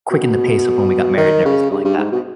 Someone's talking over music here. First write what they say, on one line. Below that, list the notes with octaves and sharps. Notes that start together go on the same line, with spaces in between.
quickened the pace of when we got married and everything like that.
B2
D#3
C#3
G2
G2
G#2
B2